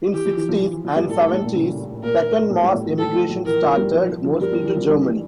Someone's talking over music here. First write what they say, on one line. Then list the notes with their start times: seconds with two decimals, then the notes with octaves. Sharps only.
In sixties an seventies, second mass emigration started, mostly to Germany.
0.13 E3 G4
0.25 F3
0.37 E3
0.49 F3
0.60 F3
0.73 E3
0.85 F3
0.96 G2 G3
1.08 A2 A3 A4
1.20 G2 G3
1.32 A2 A3
1.44 A#2 A#3
1.56 C#3 C#4
2.03 A#2 A#3 A#4
2.50 A2 A3
2.62 G2 G3
2.74 A2 A3
2.86 F3
2.98 A2 A3 A4
3.14 F3
3.29 F3
3.45 E3 A#4
3.62 F3
3.77 G2 G3
3.94 F3
4.09 F3
4.24 F3
4.40 G2 G3 A#4
4.53 F3
4.64 E3
4.77 F3
4.88 G2 G3
5.04 E3